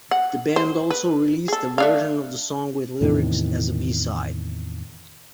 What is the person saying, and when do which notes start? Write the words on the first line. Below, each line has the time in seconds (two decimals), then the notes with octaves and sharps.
The band also released a version of the song with lyrics as a B-Side.
0.11 F#5
0.56 C5
0.91 B4
1.48 G#4 A4
1.78 A3 D4 F5
3.01 E2 A2 C3 D#3